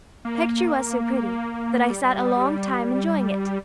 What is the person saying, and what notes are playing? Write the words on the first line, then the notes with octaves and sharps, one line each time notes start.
The picture was so pretty that I sat a long time enjoying it.
A#3
G3